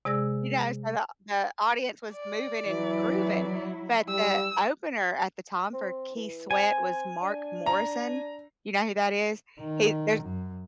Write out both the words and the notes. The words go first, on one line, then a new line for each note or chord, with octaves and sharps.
You know? So the the audience was moving and grooving, but the opener at the time for Keith Sweat was Mark Morrison. You know who that is? He there's
C3 G#3 G#4 D5 E6 A#6
D5
E3 F#3 E4
G3 E6
C4
E3
C4 G#5
D4
A#5
D#3
F#2